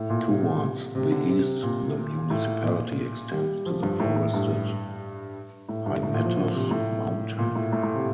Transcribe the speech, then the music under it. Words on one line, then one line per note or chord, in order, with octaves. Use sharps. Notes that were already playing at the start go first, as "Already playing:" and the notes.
Towards the east the municipality extends to the forested Hymettus mountain.
Already playing: A2
A#2
C3
C3
D3
C3
A#2
A2
A#2
G3
F3
G2
A2
A2
G2
A2
G2
A2
A#2
F3
D3
C3
A2
A#2
A2
A2
A2
C3